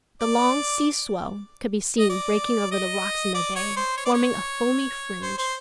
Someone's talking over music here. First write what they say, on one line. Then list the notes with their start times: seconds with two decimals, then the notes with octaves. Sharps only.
The long sea-swell could be seen breaking over the rocks in the bay, forming a foamy fringe.
0.21 D5
1.99 D#5
2.09 D5
2.71 D#5
3.34 D5
3.56 C#5
3.76 C5
3.97 C#5
4.05 D5
4.14 C#5
5.22 C5
5.38 C5